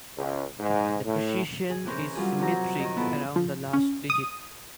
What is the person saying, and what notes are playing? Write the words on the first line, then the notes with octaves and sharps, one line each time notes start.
The precision is symmetric around the last digit.
C#2
G#2
A2
G#4
C3 E3 C4 C#4 A#4
F#3 G3 F4 G#4
F2 C3 F#3 A#5
D#3 D#5
B3 E4 F4 A4
F3
C#4
D#6